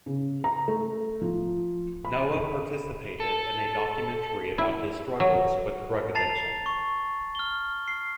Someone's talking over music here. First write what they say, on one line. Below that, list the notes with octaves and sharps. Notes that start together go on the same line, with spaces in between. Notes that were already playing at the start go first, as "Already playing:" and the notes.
Noah participated in a documentary about his struggles with drug addiction.
C#3
A#5
A3
F3
B5
A4
E4
F#3
A5 A#5 A6 C7 F7
C#6
F6 G7
C7